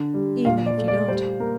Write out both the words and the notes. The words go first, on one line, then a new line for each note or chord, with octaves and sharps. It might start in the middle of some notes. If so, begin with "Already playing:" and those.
Even if you don't.'
Already playing: D3
G3
A#2 F5
D5
A3
D5
G3 C5
A#3 A#4